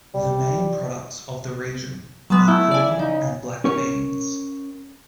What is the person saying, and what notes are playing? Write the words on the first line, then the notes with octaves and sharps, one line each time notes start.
The main products of the region are corn and black beans.
G3
F#3 G#3 B3
A3 E4
D5 G#5
C#3 D#4
C#4 A#4 C#5